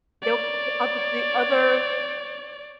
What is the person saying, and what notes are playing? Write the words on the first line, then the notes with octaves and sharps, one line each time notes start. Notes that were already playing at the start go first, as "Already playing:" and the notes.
They'll g other The other
C#5 D5